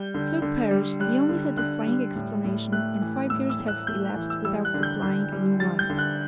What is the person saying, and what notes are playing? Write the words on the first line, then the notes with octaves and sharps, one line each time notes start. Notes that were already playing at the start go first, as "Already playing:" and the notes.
So perished the only satisfying explanation, and five years have elapsed without supplying a new one.
Already playing: G3 G6
D3
D3
G3
G3 F#6
D3
D3 F#6
G3
A2
A2
A3 F#6
E3
A2 E6
E6
A2
F#6
A3 G6
E3
E6
G3 E6
F#6
D3
G6
D3
G3
G3 A6
G6
D3
F#6